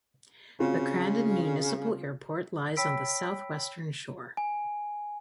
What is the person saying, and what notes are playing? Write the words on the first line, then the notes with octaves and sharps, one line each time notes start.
The Crandon Municipal Airport lies on the southwestern shore.
C#3 C4 F4 F#4
C#5 G5 B5 E6 B6 D7
G#5